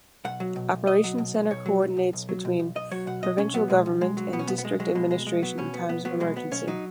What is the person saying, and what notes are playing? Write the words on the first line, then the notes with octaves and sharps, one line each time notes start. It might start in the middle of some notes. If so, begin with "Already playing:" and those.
Operation Center coordinates between provincial government and District administration in times of emergency.
B1 F#5
F#3
B2
B1
B1 D#5
F#3
B2
B1
B1 C#5
F#3
B2
B1
B1
F#3
B2
B1
B1 D#5
F#3 C#5
B2 F#5
B1 D#5
B1 C#4
F#3 B3
B2 G#3
B1
B1 G#3
F#3
B2 B3
C#4
B1 B3
B3
B1 G#3
F#3 G#3
B2 G#3
B1 G#3
B1 G#3
F#3 B3
B2 C#4
B1 B3
B1 B3
F#3 B3
B2 G#3
B1 B3
B1 C#4
F#3 D#4